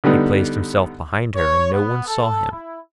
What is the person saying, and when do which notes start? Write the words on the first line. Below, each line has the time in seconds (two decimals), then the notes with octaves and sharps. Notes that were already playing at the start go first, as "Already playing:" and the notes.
He placed himself behind her, and no one saw him.
0.04 D3 G3 B3 D#4
1.36 C#5
1.73 B3
2.07 A4
2.52 E4